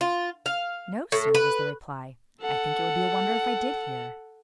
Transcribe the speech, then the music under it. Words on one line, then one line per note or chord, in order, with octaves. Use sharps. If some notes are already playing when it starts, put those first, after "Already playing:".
"No, sir," was the reply; "I think it would be a wonder if I did hear."
F4
F5
A2
B4
A4 F#5